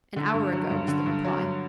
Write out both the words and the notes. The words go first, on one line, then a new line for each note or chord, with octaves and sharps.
"An hour ago," was the reply.
D3
G2
F#3
G2
D3
G2
F#3
G2